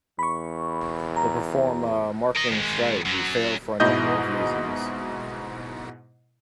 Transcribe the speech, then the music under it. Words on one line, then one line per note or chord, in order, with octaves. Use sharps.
The Performa marketing strategy failed for a number of reasons.
E2 B5 C#6
A#5
A#4 D#5
D#3 G#3
F#2 F#3
G#2 B2 E4 D#5 G6